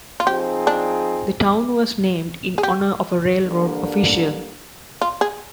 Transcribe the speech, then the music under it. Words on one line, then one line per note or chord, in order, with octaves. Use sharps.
The town was named in honor of a railroad official.
F4
F3 C4 D#4 G4 G#4
D4
G#4
G4
G2 D3 G3 A#3
F4
G#4